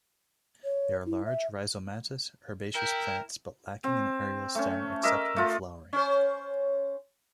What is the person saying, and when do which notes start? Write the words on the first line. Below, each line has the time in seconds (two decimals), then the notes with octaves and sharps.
They are large rhizomatous herbaceous plants but lacking an aerial stem, except when flowering.
0.64 C#5
1.06 E4
1.25 E5
2.75 E4 A#4 G5
3.84 C4
4.55 A3 C#4
5.03 A#4 D#5 E5 D6
5.36 A3 F4
5.93 C#4 C5